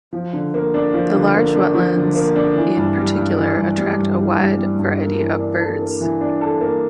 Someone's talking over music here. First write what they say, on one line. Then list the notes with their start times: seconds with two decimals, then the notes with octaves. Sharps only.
The large wetlands in particular attract a wide variety of birds.
0.13 F3
0.33 D3
0.54 A#3
0.74 D4
0.94 F3
1.14 D3
1.35 A#3
1.55 D4
1.74 F3
1.96 D3
2.15 A#3
2.36 D4
2.56 E3
2.77 G2
2.97 G3
3.17 G2
3.37 E3
3.57 G2
3.78 G3
3.98 G2
4.18 E3
4.38 G2
4.58 G3
4.79 G2
5.00 A#3
5.19 E3
5.39 D4
5.60 A4
5.81 A#3
6.01 E3
6.21 D4
6.41 A4
6.61 A#3